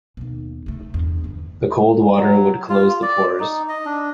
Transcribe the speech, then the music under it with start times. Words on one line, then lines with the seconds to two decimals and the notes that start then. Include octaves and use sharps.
The cold water would close the pores.
0.17 D#2 B2
0.66 C3 A3
0.94 E2 G2
1.24 D3
2.16 F#3
2.69 F4
3.03 D5
3.40 D#4
3.69 D#5
3.86 D4